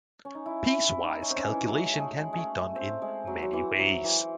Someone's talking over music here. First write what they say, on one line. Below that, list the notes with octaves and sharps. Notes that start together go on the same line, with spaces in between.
Piece-wise calculation can be done in many ways.
C#4
D#4
E4
E4
E4
D#4
C#4
C4
C#4
E3
F#3
G#3
A3
G#3
G#3 A3
C4
G#3
F#3
F#3
E3
F#3
E3